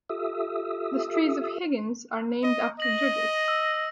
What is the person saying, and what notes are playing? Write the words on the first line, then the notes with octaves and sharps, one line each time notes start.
The streets of Higgins are named after judges.
F4 G4 A4 E5 D#6 E6
D#5
D#5 A#6 F#7
E6